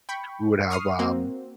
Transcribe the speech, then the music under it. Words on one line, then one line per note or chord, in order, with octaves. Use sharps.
we would have, um,
G5 B5 C#6
C#6 D#6 F6 C7
A#3 C4 F#4